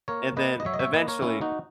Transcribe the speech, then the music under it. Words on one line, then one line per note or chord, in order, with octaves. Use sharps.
and then, eventually,
A#3 A#4 C#5
A#3 B4 D#5
D#5
F#3 C#5 E5
D#5
C#5 E5
A#3 B4 D#5
A#4 C#5
A#3 C#4 E4
D#4 F#4